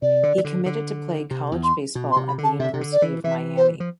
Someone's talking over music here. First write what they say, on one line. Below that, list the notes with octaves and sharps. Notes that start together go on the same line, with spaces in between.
He committed to play college baseball at the University of Miami.
C3 D5
D3
E3
D3
D3
C3
E2
C6
B2
C6
C3
B5
D3 A5
C3 E5
C3
D3
D5
E3
E3 E5
C5
F3